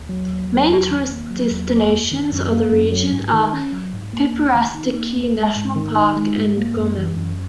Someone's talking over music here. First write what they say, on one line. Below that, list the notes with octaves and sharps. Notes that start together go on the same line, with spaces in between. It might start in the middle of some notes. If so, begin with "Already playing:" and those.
Main tourist destinations of the region are Pripyatsky National Park and Gomel.
Already playing: D#2
F#3
D#2
F#3
E2
D#3
A#3
F#3
E2
A#3
F#2
D#3
F#2
A#3
F#2
F#3
G#2
D#3
C#4
F#3
G#2
A#3
D#2
D#3
D#4
A#3
D#2
G#3
G#2
D#3
D#4
G#3
G#2
A#3
F#2
E3
F#2